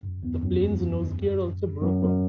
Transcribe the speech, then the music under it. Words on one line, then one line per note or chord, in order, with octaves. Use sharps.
The plane's nose gear also broke off.
F#2
E2
F#2
F#2
F#2